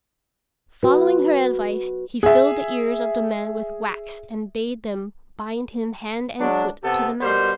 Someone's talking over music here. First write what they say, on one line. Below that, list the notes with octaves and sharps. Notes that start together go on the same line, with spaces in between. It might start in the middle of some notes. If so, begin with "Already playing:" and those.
Following her advice he filled the ears of the men with wax and bade them bind him hand and foot to the mast.
F#4 B4
G#4 E5
F#3 G#3 D4
C3 B3 G4 A4
B2 G3 A#4 C5